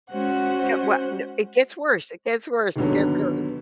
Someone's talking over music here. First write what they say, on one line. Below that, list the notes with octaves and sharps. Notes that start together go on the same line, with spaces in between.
so wha no, it gets worse, It gets worse, It gets worse,
G#3 C#4 F#4 C5 F#5
D#2 G#2 B2 D3 F#3 B3